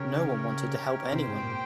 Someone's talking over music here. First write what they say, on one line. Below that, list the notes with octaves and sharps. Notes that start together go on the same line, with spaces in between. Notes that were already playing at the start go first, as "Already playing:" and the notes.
No one wanted to help anyone.
Already playing: C#3 C#4 G4 A#4 C#5
C3 G4 C5 G5
G#2
A#2